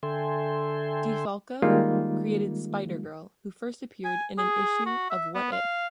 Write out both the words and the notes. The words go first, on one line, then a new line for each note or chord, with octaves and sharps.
DeFalco created Spider-Girl, who first appeared in an issue of What If?
D3 A4 E5 G5 G#5 C6
D#3 G3 G#3 A#3 D#4 F4
G#5
G#4
F#4
E5
B3
F5